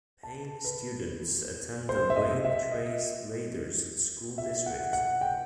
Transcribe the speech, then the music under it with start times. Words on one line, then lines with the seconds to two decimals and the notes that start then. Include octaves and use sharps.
Payne students attend the Wayne Trace "Raiders" school district.
0.23 A5
0.65 B4
1.89 C5
2.10 E5
2.16 D#5
2.45 E5
2.72 D#5
4.38 E5
4.66 F#5
4.93 F#5
5.21 G5